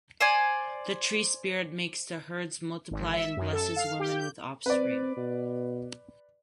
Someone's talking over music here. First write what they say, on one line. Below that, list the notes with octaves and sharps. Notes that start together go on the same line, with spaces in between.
The tree-spirit makes the herds multiply and blesses women with offspring.
C5 D5 G#5
G#1
E5
F#2
A4
F5
G4
G6
C4 B4 D5
B2